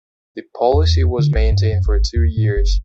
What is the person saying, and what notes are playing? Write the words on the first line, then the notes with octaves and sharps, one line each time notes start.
The policy was maintained for two years.
E2
D3
A#1
G2
F#2
G#1
D#2
A2
F#1